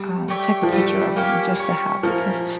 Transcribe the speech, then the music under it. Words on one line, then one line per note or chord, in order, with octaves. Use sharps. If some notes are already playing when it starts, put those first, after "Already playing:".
um, take a picture of 'em just to have it 'cause
Already playing: G3
A3 D4 G4 C#5
F3
G3 A3 D4 G4
A#3 C#4 G4
C#4 G4 C#5
F3 C#4 E4 A#4